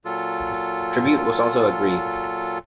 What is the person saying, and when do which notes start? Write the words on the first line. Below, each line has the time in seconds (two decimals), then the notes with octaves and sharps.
Tribute was also agreed.
0.05 A#2 F#3 F4 A4